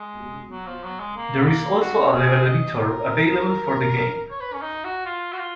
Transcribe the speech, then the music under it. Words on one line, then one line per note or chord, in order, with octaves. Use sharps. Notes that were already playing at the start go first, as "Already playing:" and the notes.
There is also a level editor available for the game.
Already playing: G#3
F#3
F3
F#3
G#3
A#3
B3
A#3
F#4
A#4
G#4
D#5
A#4
C#5
B4
C#4
D#4
F#4
F4
F#4
F4